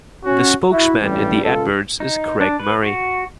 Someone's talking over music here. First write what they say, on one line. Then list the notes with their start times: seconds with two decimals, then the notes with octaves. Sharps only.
The spokesman in the adverts is Craig Murray.
0.25 C#4 F#4
0.71 E4 F#4
1.02 A1 G2 G3
1.44 C#2 F4 A4
2.00 D#4
2.41 D4
2.60 B4
2.83 F#4